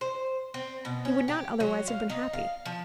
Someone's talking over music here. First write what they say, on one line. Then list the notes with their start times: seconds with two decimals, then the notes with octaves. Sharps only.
He would not otherwise have been happy.
0.01 C5
0.54 C4
0.85 B2
1.05 C#4
1.28 G4
1.60 F#3
1.88 F5
2.10 D#4
2.33 F5
2.66 F3